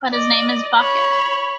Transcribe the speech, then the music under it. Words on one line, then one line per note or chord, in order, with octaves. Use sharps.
But his name is Bucket.
D5 D#5
C#5 B5